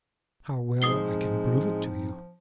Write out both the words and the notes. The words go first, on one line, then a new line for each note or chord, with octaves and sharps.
How well I can prove it to you!
A2 F3 G#3 C4 D#4 D#6 C7 G7